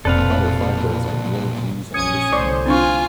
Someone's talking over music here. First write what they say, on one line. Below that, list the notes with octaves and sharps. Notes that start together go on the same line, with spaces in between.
Firefighters and EMT s on the scene.
F1 B1 A#2 C4 A4 B4 D5 F5
A#1 C#4 D#6 G#6 C#7
C2 D3 A3 C5 D5 C#6 D6
C4 D4 F4 G#5 C#6